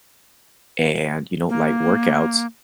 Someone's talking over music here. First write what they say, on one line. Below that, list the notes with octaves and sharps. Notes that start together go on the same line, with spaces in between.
and, you know, light workouts
A#3